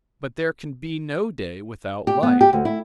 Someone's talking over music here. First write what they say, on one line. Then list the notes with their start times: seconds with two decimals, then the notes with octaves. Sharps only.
But there can be no day without light.
2.07 G4
2.23 B3
2.41 G4
2.53 D2
2.65 E4